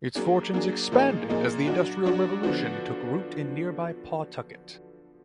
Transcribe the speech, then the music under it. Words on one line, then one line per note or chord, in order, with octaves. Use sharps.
Its fortunes expanded as the Industrial Revolution took root in nearby Pawtucket.
F#3 A#3 D4 G#4
F#3 A#3 D4 G#4
A#2 F3 A#3 D#4 G#4
A#2 F3 A#3 D#4 G#4
F#3 D4 F#4
F#3 D4 F#4
D3 F3 B3 D4 F#4